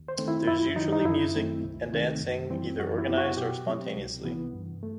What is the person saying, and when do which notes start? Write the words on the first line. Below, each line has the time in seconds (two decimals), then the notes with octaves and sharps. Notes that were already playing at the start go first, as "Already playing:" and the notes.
There is usually music and dancing, either organized or spontaneously.
Already playing: D#2
0.08 C5
0.18 D#3 A3 C4
0.28 E4
0.47 F#2 E4
0.76 D#3 F#3 D#4
0.93 D#4
1.05 F#2 E4
1.34 D#3 A3 C4
1.63 C2
1.92 C3 D#3 A3 C4
2.21 F#2
2.50 E3 G3 C4
2.79 F#2 F#4
2.98 E4
3.09 F#3 B3
3.18 F#4
3.37 B2 G4
3.66 F#3 C4
3.95 C2
4.24 C3 E3 B3
4.53 G2
4.83 A3